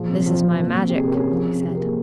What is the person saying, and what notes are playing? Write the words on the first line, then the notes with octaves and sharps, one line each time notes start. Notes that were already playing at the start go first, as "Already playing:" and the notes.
"This is my magic," he said.
Already playing: A#2 F3 G#4
C3
F3
C3
A#3
C3
G4
C3 G#4
A#4
C#4 G4
G#4
F3
C3
C3 G4
A#4
A#3 G#4